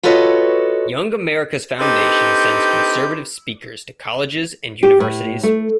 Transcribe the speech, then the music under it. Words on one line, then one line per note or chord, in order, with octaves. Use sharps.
Young America's Foundation sends conservative speakers to colleges and universities.
F4 F#4 A4 B4 C#5 D#5
C4 D4 D#4 G4 A4 B4
G4
A2
A3